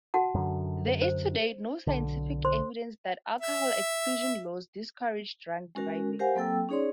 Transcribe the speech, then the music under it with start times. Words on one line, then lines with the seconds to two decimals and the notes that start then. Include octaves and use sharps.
There is to date no scientific evidence that alcohol exclusion laws discourage drunk driving.
0.14 F#4 F#5 A5
0.35 F#2 D3
1.02 C5
1.87 B1 D3
2.45 C5 C6
3.41 E5
5.75 G#3 C#4 F#4 A#4
6.19 G4 A#4 C5 F5 F#5 G#5
6.35 F#3 A#3 C4 A4 G5 E6
6.69 C#4 D#4 G#4 C#5 D5 C6